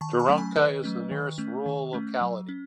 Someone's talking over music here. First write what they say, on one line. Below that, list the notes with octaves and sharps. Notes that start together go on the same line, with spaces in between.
Dragunka is the nearest rural locality.
D#3 A5 C#6
A5 C#6
F#3 A3 C#4
G#5 B5
D#3 B4 D#5
F#3 A3 C#4
D#3
A3 C#4
D#3
A3 C#4
F#3
C#4